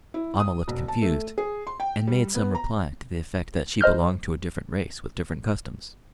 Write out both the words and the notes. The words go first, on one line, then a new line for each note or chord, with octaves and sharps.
Almah looked confused, and made some reply to the effect that she belonged to a different race with different customs.
E4
D#6
E1
A5
A3
G#4
C6
G5
G3
B3
A#5
C5 D#5 F6 G6